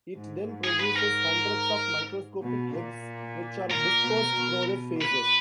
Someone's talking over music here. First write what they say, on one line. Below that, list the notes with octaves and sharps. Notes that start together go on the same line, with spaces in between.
It then produces hundreds of microscopic eggs, which are dispersed through the feces.
G#2
G#2
G#4
B4
A#4
B2
A#2
A#2 A#4
B2
B2
A#2 B4